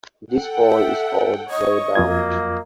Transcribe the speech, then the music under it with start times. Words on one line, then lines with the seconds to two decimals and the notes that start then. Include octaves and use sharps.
This fall is called drawdown.
0.34 A4 F#5 G5
0.68 E5
1.50 C#5 D#5 C#6
1.95 F2 F#3 A#3 F4 G#6